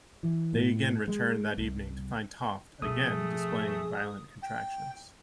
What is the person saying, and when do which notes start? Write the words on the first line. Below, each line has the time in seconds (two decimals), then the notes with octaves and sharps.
They again returned that evening to find Toft again displaying violent contractions.
0.23 E3
0.53 A2
1.08 G#3
1.58 C2
2.82 B2 F3 A3 G#4 D#6
4.43 G5